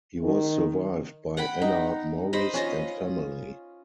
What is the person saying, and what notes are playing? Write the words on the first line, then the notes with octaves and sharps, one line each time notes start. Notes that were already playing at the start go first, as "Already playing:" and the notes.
He was survived by Anna Morris and family.
D#3
F#5 G5 B5
D#4
C5 D#5 B5
C#4 F4 D#5